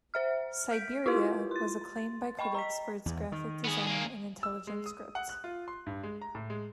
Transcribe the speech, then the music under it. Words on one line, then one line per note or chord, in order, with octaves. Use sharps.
"Syberia" was acclaimed by critics for its graphic design and intelligent script.
C5 E5 F6
F6 G6 B6 D7
E4 F4 G4 A#4 B4 C6
C6 A6
D#5 G5 B5 C#6
A#5 B6
E2
D#3
B3 G#4
A#3 G#4
E6
G#3
D#6
F#5
F#6
F4
C6
G2
G#3
A#5
A2
G#3